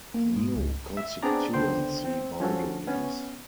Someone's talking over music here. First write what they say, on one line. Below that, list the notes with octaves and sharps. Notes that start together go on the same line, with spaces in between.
New constituency boundaries.
A#3
G#2
C#2
E5
B3 C4 D4 G#4 D5 A#5
C#2 D3 B3 C5 G5 C6
C4
F3 C#4 F#4 A4
B3 C#4